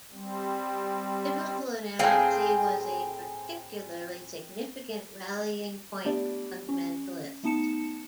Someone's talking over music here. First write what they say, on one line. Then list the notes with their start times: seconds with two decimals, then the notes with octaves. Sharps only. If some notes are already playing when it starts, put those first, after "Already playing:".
Biblical inerrancy was a particularly significant rallying point for fundamentalists.
0.12 G3 C4
1.99 A2 C4 G#4 F5
6.05 A3 B3 D4 G4 D5
6.69 C#4
7.43 A3 B3 D#4 A5 C#7 E7